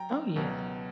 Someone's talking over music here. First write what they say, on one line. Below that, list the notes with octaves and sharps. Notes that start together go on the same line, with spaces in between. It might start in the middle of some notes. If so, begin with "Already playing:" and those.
Oh, yeah.
Already playing: F#3 G5 A#5
C#2 B2 F#3